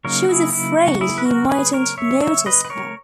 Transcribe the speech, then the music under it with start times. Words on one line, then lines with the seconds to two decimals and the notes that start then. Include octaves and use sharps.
She was afraid He mightn’t notice her.
0.05 C#3 F#3 A#3 D#4 A#4 C#5
0.29 E4 G#4
0.52 E4
0.77 F#4
1.01 E4 G#4
1.18 B4
1.25 F#4 A#4
1.49 G#4 B4
1.73 A#4 C#5
1.98 C#5 E5
2.22 C#5 E5
2.46 B4 D#5
2.65 B4
2.70 A#4 C#5